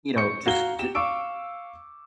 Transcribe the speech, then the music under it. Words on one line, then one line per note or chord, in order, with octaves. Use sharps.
you know, just ju
C#6 G6 C#7
F#4 F5 A#5 G7
G4 E7
F5 C#6 D6 E6 D7